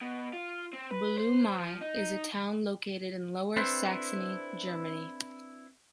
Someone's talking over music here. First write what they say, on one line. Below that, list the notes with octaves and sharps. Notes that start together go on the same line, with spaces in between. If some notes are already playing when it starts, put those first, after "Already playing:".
Buluomei is a town located in Lower Saxony, Germany.
B2
F4
C4
B4
C5
F3
D#4
C4 D4 E4 A4 B4 C5